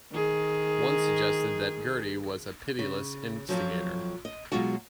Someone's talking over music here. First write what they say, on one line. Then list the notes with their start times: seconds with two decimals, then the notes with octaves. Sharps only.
One suggested that Girty was a pitiless instigator.
0.12 D#3 G#4
2.79 C#3
3.49 F2 B2 F3 F#3
4.25 D#5
4.52 B2 F#3 G#3 F4 F#4